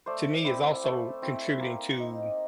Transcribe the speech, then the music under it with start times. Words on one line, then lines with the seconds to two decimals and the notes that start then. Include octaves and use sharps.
to me is also contributing to,
0.06 A3 C5 D5
0.45 C4 E4
0.84 A3
1.22 C4 E4
1.60 A#3
1.99 D#4